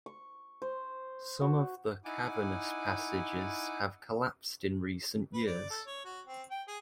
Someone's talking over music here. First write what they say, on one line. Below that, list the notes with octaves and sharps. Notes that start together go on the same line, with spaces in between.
Some of the cavernous passages have collapsed in recent years.
C#6
C5
F#4
D#4 E4 F#5 G#5 D6
B4
D5
A4
C#5
F#4
C4
G5
G#4